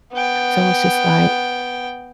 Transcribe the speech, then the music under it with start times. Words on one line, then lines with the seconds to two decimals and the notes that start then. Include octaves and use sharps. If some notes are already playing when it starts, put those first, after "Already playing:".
So it's just like,
0.13 B3 G5